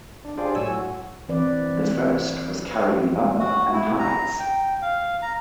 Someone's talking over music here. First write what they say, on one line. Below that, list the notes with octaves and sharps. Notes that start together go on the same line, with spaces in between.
The first was carrying lumber and hides.
D4
D4 F4 G4 G#4 C5 D5
A2 F#3 C#5 G#5 E6
F#4
E3 C4 B4 D5
F#4
E4
A#5
G5
F5
A#5